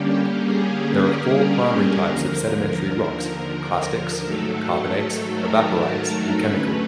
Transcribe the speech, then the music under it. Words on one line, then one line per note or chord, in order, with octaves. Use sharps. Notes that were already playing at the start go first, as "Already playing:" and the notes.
There are four primary types of sedimentary rocks: clastics, carbonates, evaporites, and chemical.
Already playing: D3 G3 A#3 C#4 G4
G#4
A#4
D#2 D3 F3 A#4
A#4
G#2 D#3 F#3 A3 A4
A#4
D3 F#3 A3 C#4 B4